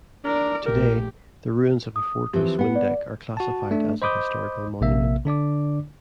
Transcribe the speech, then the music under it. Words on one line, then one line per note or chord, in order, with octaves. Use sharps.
Today, the ruins of a fortress Windeck are classified as a historical monument.
D4 A#4 D5
A#1 A3 G4 A#4
D#6
E3 F3 C4 G4
B3 F#5
D5
F#4 A5
A3 D4
C5 D#5 B5 D6 D#6 G6
A#1 C3 A#3 E5
D3 D4 D5 D6